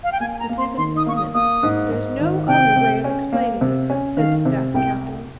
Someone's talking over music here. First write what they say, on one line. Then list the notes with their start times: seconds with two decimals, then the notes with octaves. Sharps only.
"It is an illness, there's no other way of explaining it," said the staff captain.
0.04 F5
0.12 G5
0.20 A#3 G#5
0.33 G#5
0.40 A#5
0.49 A#3
0.58 C6
0.77 D#3 C6
0.97 D#6
1.06 A#3 C#6
1.16 D#6
1.34 A#3 D#6
1.63 G#2
1.91 G#2
2.19 D#3
2.48 C3 G5
2.76 C3
3.04 C#4
3.33 A#3
3.61 C3
3.90 C#4
4.17 D#3 F5
4.45 C3
4.74 C2 G5